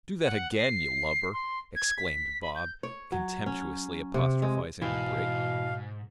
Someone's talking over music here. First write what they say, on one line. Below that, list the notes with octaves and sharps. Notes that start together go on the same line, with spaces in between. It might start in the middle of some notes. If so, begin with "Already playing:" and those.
"Do that again, you lubber!" exclaimed Bob, contemptuously apostrophising the brig.
F#5
C7
C6
G#6
B6
B5
G6
C#5
F#3
C#4
C3
G#3
G#2 B2 E3 F5